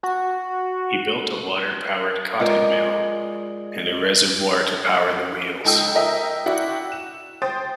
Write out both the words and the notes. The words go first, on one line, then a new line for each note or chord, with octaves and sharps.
He built a water-powered cotton mill, and a reservoir to power the wheels.
F#4
G#3 F4 A#4 D5
C#2 D#4 A4 G5 D#6 E6
A#4 D#5 E5 G5
E4 F#4 D5 E5 F#5 G5
E7
C5 G5 D#6 A6